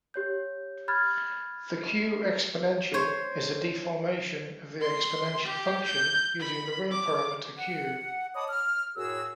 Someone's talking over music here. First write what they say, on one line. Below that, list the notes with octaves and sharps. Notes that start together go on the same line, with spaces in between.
The "q"-exponential is a deformation of the exponential function using the real parameter "q".
G4 C#5 G6
B5 F6 F#6 G#6 A6
C5 C#5
C6
G4
G6
B5
D6
F#5
C#5 D#5 A5 B5 D6 D#6
F6
F#2 A2 F#4 G#4 E6